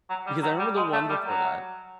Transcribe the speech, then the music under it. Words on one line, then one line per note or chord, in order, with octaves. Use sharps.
Because I remember the one before that.
F#3
G3
F#3
G3
G#3
A3
G3
F#3